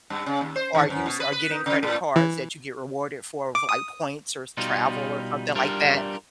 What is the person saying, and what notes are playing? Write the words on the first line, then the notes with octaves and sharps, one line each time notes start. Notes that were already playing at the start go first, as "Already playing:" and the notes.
or use or getting credit cards that you get rewarded for with, like, points or travel or something like that.
G2
C#3
D#2
C5
D#3
F#2
B2
B4
B4
D#4
C#3
A2
E3
D6
D#6
B2 G3 D#4 F4
G3 D4 F4 G4 A#4